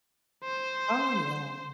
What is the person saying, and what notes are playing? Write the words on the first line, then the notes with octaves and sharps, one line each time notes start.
Oh, yeah.
C5